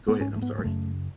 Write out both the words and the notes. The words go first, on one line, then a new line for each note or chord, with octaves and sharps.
Go ahead, I'm sorry.
B3
G#2 C#4
A3
B3
G#3
F#2 C#3 A3